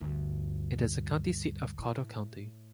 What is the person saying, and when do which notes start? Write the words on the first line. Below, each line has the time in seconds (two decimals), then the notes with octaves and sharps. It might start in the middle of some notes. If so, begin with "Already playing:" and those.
It is the county seat of Cottle County.
0.01 D2 G2
1.79 A2